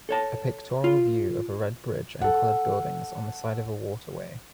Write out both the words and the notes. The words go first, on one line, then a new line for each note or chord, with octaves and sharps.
A pictoral view of a red bridge and colored buildings on the side of waterway.
A4 C#5 A5
F4
A4 F#5